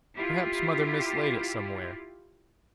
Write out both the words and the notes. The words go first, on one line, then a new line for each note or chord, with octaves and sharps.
Perhaps mother mislaid it somewhere.
E4 F4 G4